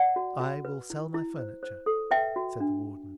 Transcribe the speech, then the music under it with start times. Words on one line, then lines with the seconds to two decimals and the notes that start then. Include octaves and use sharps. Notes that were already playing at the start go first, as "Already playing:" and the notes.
"I will sell my furniture," said the warden.
Already playing: D5 F#5
0.16 F#4
0.40 F#4
0.65 B4
0.90 E4
1.14 E4
1.39 C5
1.63 C5
1.86 A4
2.11 B4 E5 G5
2.36 F#4
2.60 D4